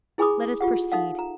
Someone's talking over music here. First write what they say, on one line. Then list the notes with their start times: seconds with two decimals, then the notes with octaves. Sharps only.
Let us proceed.
0.18 E4 G#4 G#5 B5 D6 D#6
0.61 F4 G4 F#5
0.92 D#4 A4 F5 F#5
1.19 A#5